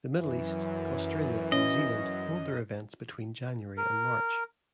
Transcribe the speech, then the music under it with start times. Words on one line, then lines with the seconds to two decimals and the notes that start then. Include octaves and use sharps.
The Middle East, Australia and New Zealand hold their events between January and March.
0.16 F#2 E3
1.52 C#4 D#5
3.77 A#4